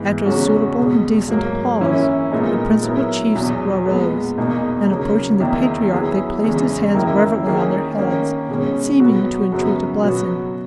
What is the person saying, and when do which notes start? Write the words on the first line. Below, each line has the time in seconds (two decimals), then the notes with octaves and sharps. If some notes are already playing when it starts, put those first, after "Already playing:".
After a suitable and decent pause, the principal chiefs arose, and, approaching the patriarch, they placed his hands reverently on their heads, seeming to entreat a blessing.
Already playing: G#2 E3 B3
0.26 E2 C#3 G#3 C#4 F#4
0.77 E2 B2 G#3
1.28 G#2 F#3 A#3
1.80 F#2 E3 A#3 C#4 E4
2.32 A#2 G#3 B3 D#4 A#4
2.82 F#3 B3 E4 A#4
3.34 E2 B2 F#3
3.85 A#2 G#3 B3
4.37 E2 B2 A#3 D#4
4.89 C#3 F#3 A#3
5.40 E2 D#3 A#3 E4
5.92 F#3 B3 E4 G#4
6.43 E2 C#3 E3 G#3
6.94 F#2 D#3 A#3 E4 A#4
7.46 D#3 A#3 C#4 G#4
7.98 D#3 A#3 C#4
8.49 B2 G#3 C#4
9.00 B2 F#3 B3 F#4
9.52 F#2 C#3 F#3 B3 F#4
10.03 B2 F#3 B3 F#4